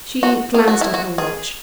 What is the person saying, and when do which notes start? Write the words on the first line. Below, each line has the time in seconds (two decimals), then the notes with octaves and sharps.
She glanced at her watch.
0.23 F#4
0.54 G#4
0.68 F#4
0.81 E4
0.94 F#4
1.18 G#4